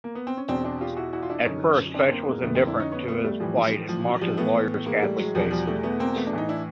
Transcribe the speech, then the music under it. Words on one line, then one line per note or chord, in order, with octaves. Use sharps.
At first Fesch was indifferent to his plight and mocked his lawyer's Catholic faith.
A#3
B3
C4
C#4
E2 B2 C4 D4
C4 D4
F4 G4
E4 F#4
E4 F#4
F4
D4 E4
F#2 D3 C#4 D#4
C4 D4
A#3 C4
B3
G#3 A#3
F2 D3 A3 B3
A#3 C4
D4 E4
C#4 D#4
B3 C#4
A3 B3
G3 A3
A2 E3 F3 G3
F3
F#3
F3 G3
A2 E3 A3 B3
G#3 A#3
G3 A3
F#3 G#3
E2 B2 F3 G3
F3 G3
G3 A3
A3 B3
A#3 C4
A3 B3
D4
A2 E3 D#4
D4 E4